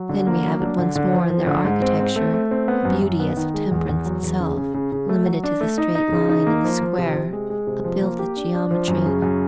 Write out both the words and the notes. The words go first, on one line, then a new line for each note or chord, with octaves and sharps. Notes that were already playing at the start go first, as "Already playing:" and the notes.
Then we have it once more in their architecture, a beauty as of temperance itself, limited to the straight line and the square,--a builded geometry.
Already playing: F#3
D3
A#3
F#3
D4
D3
D3
F3
F3
D3
G#2
C4
C4
A3
A3
C4
B3
F#2
F#2
B3
D#3
G#3
E2
E2
F#3
E2
C#3
C#3
C#3
C#3
A3
F#3
D4
A3
D#4
D#4
C#3
D#4
A#3
F3
F3
C3
C3
G#3
G#3
C3
F3
A#3
G4
D4
D4
F3
F#2
C#3
F#2